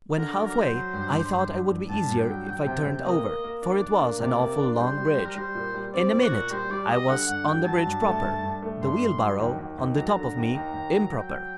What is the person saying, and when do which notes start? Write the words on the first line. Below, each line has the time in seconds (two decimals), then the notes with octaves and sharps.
When half way, I thought I would be easier if I turned over, for it was an awful long bridge; in a minute I was on the bridge proper, the wheelbarrow on the top of me, improper.
0.17 D3 A#4
0.31 F#3 D5
0.45 A#4
0.54 F#3
0.60 C5
0.74 F#3
0.93 G2
1.13 G2
1.32 G2
1.51 G2
1.70 G2
1.89 G2 A5
2.09 G2
2.18 G5
2.28 F#3
2.47 F#3 G5
2.67 C3
2.86 C3
3.05 A#3 D#5
3.24 A#3
3.44 A#3
3.62 D4 D5
3.81 D4
4.00 A#3
4.20 C3 D5
4.39 A#3
4.59 D4
4.78 G3 C5
4.98 G3
5.16 G3
5.25 A#4
5.35 G3 C5
5.55 A#2
5.74 G3
5.93 C4 D5
6.13 A#2
6.22 F#4
6.32 A#2
6.50 G3 C5
6.70 G3 D5
6.89 G3 D#5
7.08 D3 F#5
7.28 G2 F#5
7.47 F#3 G5
7.66 F#3 A5
7.85 G2
8.05 A3
8.24 G2
8.43 G2
8.62 A3
8.81 G2 C6
9.02 G2
9.20 F#3
9.40 D#2
9.59 D#2
9.78 D#2
9.97 F#3 A#5
10.06 A5
10.13 D3 A#5
10.36 D#2
10.55 D#2 A#5
10.73 D#2
10.94 F#3
11.13 F#3 G5
11.31 F#3